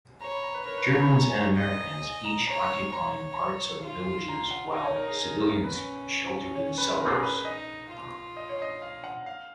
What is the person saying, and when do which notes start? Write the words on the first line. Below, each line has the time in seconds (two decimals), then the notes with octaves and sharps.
Germans and Americans each occupying parts of the villages while civilians sheltered in cellars.
0.21 C#5 A#5
0.32 B5
0.43 A#5
0.54 B4
0.66 A#4 C#5
0.78 B4
0.89 A#5
1.00 B5
1.10 A#5
1.21 G#5
1.31 A#5
1.57 D#5
2.02 G#5
2.25 A#5
2.47 C#5 A#5
2.92 C#5 A#5
3.82 F4
4.28 A#5
4.51 F#5
4.73 D#4 G#5
4.85 C#5
4.96 A#4
5.08 G#4
5.19 A#4
5.42 A#4
5.64 C#4 B4
6.55 C#5
6.78 B4
7.00 A#4
7.07 G#4
7.12 A#4
7.23 B4
7.34 B4
7.45 D#4 D#5
7.91 F4
8.37 D#5
8.49 C#5
8.62 D#5
8.82 F5
9.04 F#5
9.26 F5